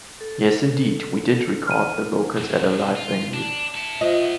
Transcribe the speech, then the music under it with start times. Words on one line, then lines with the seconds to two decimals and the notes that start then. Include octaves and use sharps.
Yes indeed, we did record the vocals at a live venue.
0.21 A4
1.67 F6 D#7
2.37 B1 F#2
2.96 F4
3.34 D4
3.75 E4 A4
4.01 F#3 B3 F4 C5 D#5